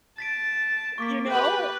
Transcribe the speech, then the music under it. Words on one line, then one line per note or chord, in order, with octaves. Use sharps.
you know?
A5 A6 B6 D7
A#3 C#6 D6 B6
G4 B4 G6 F#7